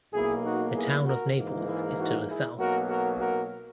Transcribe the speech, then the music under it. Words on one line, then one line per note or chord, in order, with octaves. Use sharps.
The Town of Naples is to the south.
B1 B2 A#3 E4 G#4
D#4 F#4
E4 G#4
F#4 A#4
G#2 E3 A#3
E4 G#4
D#4 F#4
E4 G#4
B1 B2 F#3 A#3 F#4 A#4
F#4 A#4
F#4 A#4